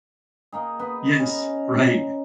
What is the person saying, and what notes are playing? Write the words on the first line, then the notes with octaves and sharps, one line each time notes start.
Yes, right.
A#3 D#4 G#4
B3 B4
C#4 A#5